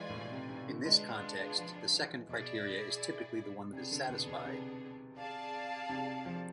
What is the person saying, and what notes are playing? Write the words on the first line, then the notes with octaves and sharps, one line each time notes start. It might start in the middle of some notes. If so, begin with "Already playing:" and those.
In this context, the second criteria is typically the one that is satisfied.
Already playing: E3 G#3 F4 B4 D5 G#5
A2
B2
C3
C3
D3
G#3 B3 D4 F4 G#4
F3
E3
B2 E4 G#4 D5
C3 B3 D4 G#4
D3
B2
B2
C3
G#4 D5 F5 A5
C3
F3